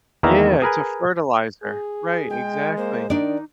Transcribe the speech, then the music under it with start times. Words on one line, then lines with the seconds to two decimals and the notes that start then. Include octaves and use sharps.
Yeah, it's a fertilizer. Right, exactly.
0.23 E2 D#3 A#3 B4 E5 A#5
0.62 G#4 A#4 B4 G#5
1.63 G#4
2.30 G#3 G5
2.77 A#3 C5
3.10 D#3 D4 D#4 D5